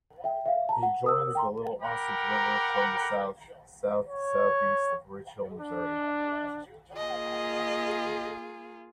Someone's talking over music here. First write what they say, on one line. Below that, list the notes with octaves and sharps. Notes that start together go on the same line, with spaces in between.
It joins the Little Osage River from the south, south-southeast of Rich Hill, Missouri.
E5 G5
E5 F5
A5 A#5
F#5
A#4 D#6 E6
G5 A#5 C6
A#4 F#5 G5 A#5 B5 D6
C#5
D4
A#3 F4 G#4 D#5